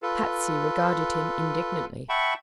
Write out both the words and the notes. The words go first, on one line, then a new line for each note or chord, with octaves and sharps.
Patsy regarded him indignantly.
F4 A4 B4
E5 F#5 G5 A5 B5 C#6